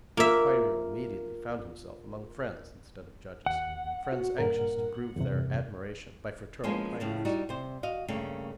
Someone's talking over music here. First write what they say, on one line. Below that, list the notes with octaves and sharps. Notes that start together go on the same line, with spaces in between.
And Kwairyo immediately found himself among friends instead of judges,--friends anxious to prove their admiration by fraternal kindness.
A#3 F4 A#4 E5
D#2 F#5
F#4
G2 A#2 A#4
E2 G2 C3
F3 G#3 A#3 B3 C#4
A2 C#3 F3
G3 D#4 F#4
C3 C5
F#4 D#5 F5
G2 C#3 A3 A#3